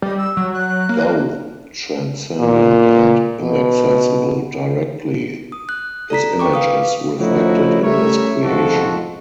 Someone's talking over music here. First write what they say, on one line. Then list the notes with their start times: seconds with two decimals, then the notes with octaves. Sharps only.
Though transcendent and inaccessible directly, his image is reflected in his creation.
0.02 G3 D#5
0.17 E6
0.37 F#3
0.52 F#6
0.89 A#3
2.41 A#2
3.41 B2
5.52 D#6
5.69 F#6
6.10 A4 D5 A#5 B6
6.39 G5 C#6 D6
6.53 B4 F5 D#6
7.20 F3 A3 C#4 D#4 E4 F#4
7.82 G3 A3 C#4 A#4 C#5 E5
8.44 C2 F2 G#2 F3 F#4 A4